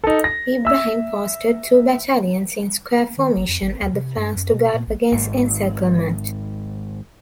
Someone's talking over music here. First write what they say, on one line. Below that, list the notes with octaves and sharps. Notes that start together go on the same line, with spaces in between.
Ibrahim posted two battalions in square formation at the flanks to guard against encirclement.
D#4 A4
A#6
E5 E6
D#3
G1
F2
G#1
D2
C3
G2
F#2
B2
A#2
A#1
G#1 G#2